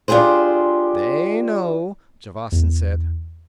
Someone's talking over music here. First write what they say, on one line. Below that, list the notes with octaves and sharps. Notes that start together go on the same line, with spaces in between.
"They know," Javasan said.
D4 F4 G4 G#4 C5
E2